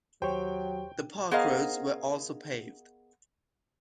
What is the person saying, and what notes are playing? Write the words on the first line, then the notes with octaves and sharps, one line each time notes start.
The park roads were also paved.
D#2 F#3 G4 C5 C#5 G5
B3 G#4 A#4 C5 D#5 F5